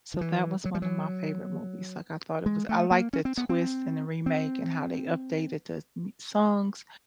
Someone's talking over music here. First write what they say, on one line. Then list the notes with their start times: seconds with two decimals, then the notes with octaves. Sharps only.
So that was one of my favorite movies, like, I thought it was I like the twist and the remake and how they updated the m songs,
0.14 D#3
0.21 E3
0.65 F#3
0.75 G3
0.82 F#3
2.46 G#3
2.69 A3
2.91 A#3
3.13 C#4
3.25 C4
3.37 B3
3.49 C4
4.26 C4